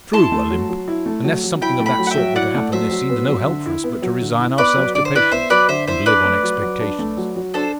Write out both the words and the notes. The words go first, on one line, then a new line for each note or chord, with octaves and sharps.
"True, Olympe; unless something of that sort were to happen, there seems no help for us but to resign ourselves to patience, and live on expectations."
E4 A5 C6
A3
F#3
F#3
E4
A3
F#3
F#3
E4 G5 B5
A3
G5 B5
F#3
F#5
E5 G5
F#3
E4 D5 F#5
A3
F#3 C5 E5
F#3
B3
F#3
D3
E4
B3
F#3
D3
E4
B3 B4 D5
F#3
D3 D5
C5
E4 B4 D5
B3 C5 E5
F#3 B4 D5
D3 C5 E5
E4 C5 E5
D4 B4 D5
A3
F#3
F#3
D4
A3
F#3
F#3
D4 A4 C5